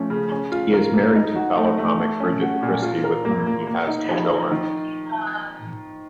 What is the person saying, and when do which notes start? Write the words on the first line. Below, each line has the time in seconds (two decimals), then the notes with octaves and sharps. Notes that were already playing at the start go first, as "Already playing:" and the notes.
He is married to fellow comic Bridget Christie, with whom he has two children.
Already playing: F3 A3 C#4
0.10 C#3
0.32 C#4
0.52 F4
0.73 A#4
0.94 A#3
1.15 D#4
1.36 F#4
1.57 A3
1.78 A3
1.99 A3
2.20 C#4
2.42 F#4
2.63 A#2
2.82 F4
3.04 A#4
3.25 A#3
3.47 A#3
3.67 A#3
3.87 D#4
4.09 F3
4.29 F3
4.51 D#3